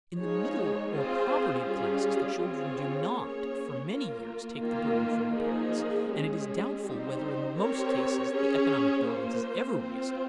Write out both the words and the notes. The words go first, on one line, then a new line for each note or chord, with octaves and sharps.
In the middle or propertied classes the children do not for many years take the burden from the parents, and it is doubtful whether in most cases the economic balance is ever reestablished.
F3 G#3 D#4 G#4 C#5
C4 F4 G#4 C5
G3 C#4 F4 G#4
C4 F4 G#4 C#5
A#3 C#4 G#4 C#5
A#3 F4 A#4
D#3 A#3 F4
F3 A#3 D#4 G#4
G#3 C#4 G#4
G3 C4 D#4 G4 C5
C4 G4 A#4 C#5
C#4 G#4 C#5
A#3 F4 C5
C4 F4 C5